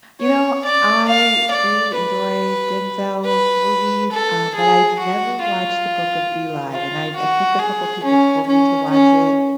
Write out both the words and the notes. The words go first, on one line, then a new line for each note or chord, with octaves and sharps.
you know, I do enjoy Denzel's movies, um, but I've never watched The Book of Eli, and I I think a couple of people told me to watch it.
C#5
D5
F5
D5
B4
B4
A4
G#4
F#4
F4
F4
F#4
G#4
C#4
C#4
C#4